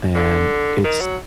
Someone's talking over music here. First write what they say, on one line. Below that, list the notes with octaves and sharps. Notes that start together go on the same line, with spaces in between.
and it's
D3
D#3
F#3